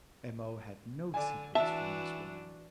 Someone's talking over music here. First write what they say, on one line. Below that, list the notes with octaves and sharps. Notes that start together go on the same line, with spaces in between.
M.O. had no secrets from this woman.
D3 D5 G#5
E3 D4 F#4 E5 A5